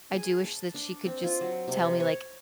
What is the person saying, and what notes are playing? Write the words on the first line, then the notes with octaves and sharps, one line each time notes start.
I do wish that she could just tell me, like
G#4
A5
D4
C4
F4
F#3
C3
C#5